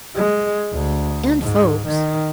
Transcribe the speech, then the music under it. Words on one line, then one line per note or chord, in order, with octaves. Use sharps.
And folks.
G#3
D2
G#2
D#3